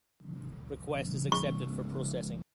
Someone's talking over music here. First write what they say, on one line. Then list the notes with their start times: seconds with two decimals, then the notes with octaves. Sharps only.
Request is accepted for processing.
1.32 C#6